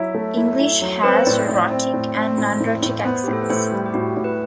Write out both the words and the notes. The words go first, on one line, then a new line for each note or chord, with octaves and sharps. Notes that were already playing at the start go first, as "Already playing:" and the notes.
English has rhotic and non-rhotic accents.
Already playing: F#3 E4 E5
A3
E4
E4
F#3
C4 B4
C5
A2 D5
A2
C4
A2
C4
A2
A2
A2
B3 C5
G4
A2
A4
B4
A2 C5
G3
G4
A2 F#4
A2
B4